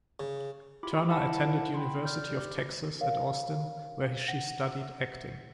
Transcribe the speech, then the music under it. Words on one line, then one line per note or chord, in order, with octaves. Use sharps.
Turner attended University of Texas at Austin, where she studied acting.
C#3
E4 F4 G4 B5 D6
E4 C5 F5 F#5 A5 B5
G5 B5 C6
D5 F6 G6
G4
A#4 C#5 F5
F#5